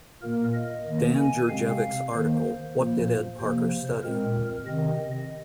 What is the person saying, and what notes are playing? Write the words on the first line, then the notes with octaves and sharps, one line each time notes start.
Dan Djurdjevic's article What did Ed Parker Study?
A#2 A#3 A#4
D#5
D#3 A#3
G#5
C3 G#3 C4 F5
D#3 A#3 C5
A#2 F3 A#3
C3 F3 A#3 C5
A#2 G#3 C4 A#4
C3 D#3 C4 D#5